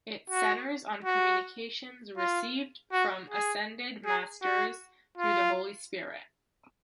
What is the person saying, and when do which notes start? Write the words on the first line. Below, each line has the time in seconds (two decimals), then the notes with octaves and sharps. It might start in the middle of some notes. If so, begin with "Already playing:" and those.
It centers on communications received from Ascended Masters through the Holy Spirit.
0.30 F#4
1.04 F#4
2.18 F4
2.92 F#4
3.30 G#4
4.06 G#4
4.43 F#4
5.17 F4